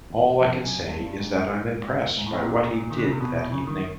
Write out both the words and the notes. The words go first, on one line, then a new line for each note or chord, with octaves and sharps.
All I can say is that I'm impressed by what he did that evening.
E2
F2
F#2
G2
G2
G#2
G#2
A2
A#2
A#2
D#3
D3
C#3
C3
B2
B2
C#3
D#3